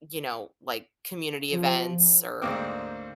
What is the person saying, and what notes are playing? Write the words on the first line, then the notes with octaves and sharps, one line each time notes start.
you know, like community events or,
F3
D2 G#2 A#3 C4 D6